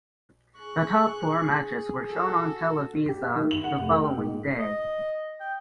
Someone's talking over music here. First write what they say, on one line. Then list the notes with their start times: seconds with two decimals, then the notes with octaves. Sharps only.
The top four matches were shown on Televisa the following day.
0.59 G#4 C#6 F#6
2.09 F#4 A4
3.09 G4
3.22 E5
3.36 D#3
3.51 F#7
3.64 F#5
3.79 F1
3.91 A#4
4.03 G5
4.17 G#2
4.60 D#5
5.40 G5